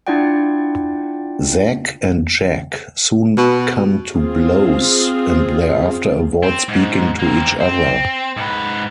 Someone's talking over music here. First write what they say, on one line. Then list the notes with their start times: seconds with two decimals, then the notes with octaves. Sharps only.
Zack and Jack soon come to blows and thereafter avoid speaking to each other.
0.07 D4 E4 F4 D5 F#5 G5
3.37 B2
4.12 C4 F4 G#4
6.43 C4
6.68 G#2
7.19 A#3 C4
7.60 C4
8.37 G#2 B4